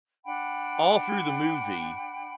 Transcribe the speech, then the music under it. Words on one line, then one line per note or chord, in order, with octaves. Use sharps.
all through the movie,
D4 F#5 G5 B5